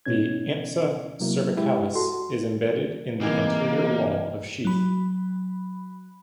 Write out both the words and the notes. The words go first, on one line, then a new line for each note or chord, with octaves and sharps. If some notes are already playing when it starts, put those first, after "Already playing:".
The ansa cervicalis is embedded in the anterior wall of sheath.
B2 C#4 G#6
C3 F#3 A#3 E4
G#3 E4 G4
F#4 A4 C6
C3 E3 A#3 D#5
F#3 B5